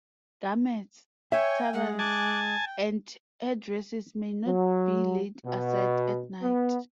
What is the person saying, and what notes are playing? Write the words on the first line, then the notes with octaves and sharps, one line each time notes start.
Garments, turbans, and headdresses may not be laid aside at night.
C#5 E5 G5 G#5
G#3 F#5
G#5 A5 D6 F#6
G5
F#3
B2
B3